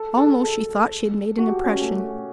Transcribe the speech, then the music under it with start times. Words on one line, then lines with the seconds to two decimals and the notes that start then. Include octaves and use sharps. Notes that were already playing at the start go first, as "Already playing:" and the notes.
Almost she thought she had made an impression.
Already playing: A4
0.17 A4
0.43 A4
1.38 F#4
1.47 G4
1.64 C#4
1.81 A3